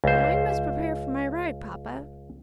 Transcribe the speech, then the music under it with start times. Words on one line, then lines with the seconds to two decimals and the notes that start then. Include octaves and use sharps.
Now I must prepare for my ride, papa.
0.04 C#2 C5